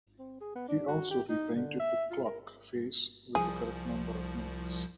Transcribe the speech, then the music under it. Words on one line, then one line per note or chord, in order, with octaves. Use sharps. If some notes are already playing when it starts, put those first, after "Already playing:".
He also repainted the clock face with the correct number of minutes.
C4
G#4
B3
D4
F#4
G4
D#4
D3
E5
F4
A#4
C2 F3 G#4